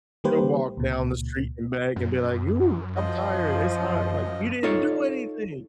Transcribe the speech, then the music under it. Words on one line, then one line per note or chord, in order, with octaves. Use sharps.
she'll walk down the street and back and be like, "Ooh, I'm tired, it's hot," I'm like, "You didn't do anything!"
D#3 G3 A#3 G4 B4 C5
C#2 A#2
F#2
F3 D#5
D#4 F4 A4 C#5